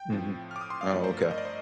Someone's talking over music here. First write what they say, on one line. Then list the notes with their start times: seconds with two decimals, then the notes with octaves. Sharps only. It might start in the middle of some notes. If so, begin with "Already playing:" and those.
Mhm. Oh, okay.
Already playing: G5
0.10 A2 F3 C4
0.51 F6
0.56 D6
0.61 D#6
0.70 C6
0.81 F5
0.91 G2 F3 A3 D5
1.04 C5
1.18 A#4
1.31 D#5
1.38 D5
1.45 C5